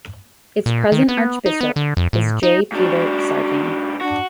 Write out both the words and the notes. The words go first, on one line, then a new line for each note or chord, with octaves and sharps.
Its present archbishop is J. Peter Sartain.
A#2
D#3
B3
D#4
B3
D3
F2
A2
D#4
G#2 D4 F#4
D4 F#4